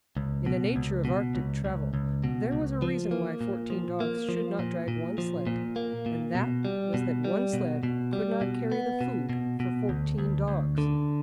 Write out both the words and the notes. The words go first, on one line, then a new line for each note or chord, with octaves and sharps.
In the nature of Arctic travel there was a reason why fourteen dogs should not drag one sled, and that was that one sled could not carry the food for fourteen dogs.
C#2
B2
C#2
B2
C#2
C#2
C#2
B2
C#2
F3
A#3
A#2
F3
A#3
F3
A#2
A#2
F3
A#2
A#3
A#2
B2
G3
B2
G3
B2
B2
G3
B2
B3
B2
B2
B2
D2
D2
D2
D3